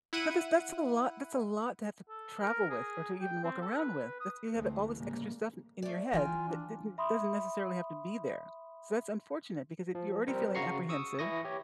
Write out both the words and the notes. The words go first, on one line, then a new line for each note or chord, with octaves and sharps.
That this that's a lot that's a lot to have to travel with, or to even walk around with, that's you have all this extra stuff in your head that didn't doesn't necessarily have to be there, so that's unfortunate because if you're already feeling apprehensive,
E4 F#5 D#7
A4
A#4
G#4
G5
C4
A4
B4
D#6
D2 D3 E3 G#3 A3 C4
A2 C#3 G3 G#3 A#3
A3 D5
E3 F4 G5 G#5
D4
E5 B5 C6 D#6
F3
G3 C4 A#4 C5
C#3 F#4 A#5 C#6 C7 C#7
C#6 D#6 E6
E3 E4 C#6 D#6 A#6
G4 C#5